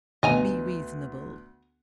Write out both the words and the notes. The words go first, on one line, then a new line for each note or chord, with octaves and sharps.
Be reasonable.
D2 B3 D#5 G#5 A#5